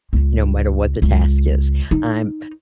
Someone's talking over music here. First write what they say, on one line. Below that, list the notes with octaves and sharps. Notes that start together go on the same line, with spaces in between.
no matter what the task is, I'm
C#2
C#2
D#4